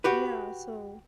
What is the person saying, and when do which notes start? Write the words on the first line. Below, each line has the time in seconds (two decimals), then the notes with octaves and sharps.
Yeah, so
0.04 F#4 G4 B4